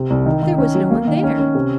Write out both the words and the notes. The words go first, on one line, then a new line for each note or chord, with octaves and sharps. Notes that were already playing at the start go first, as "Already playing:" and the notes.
There was no one there!
Already playing: C3
C2
D#3
D#3
C#4
F#3
A#3
D#3
C#4
C#4
C3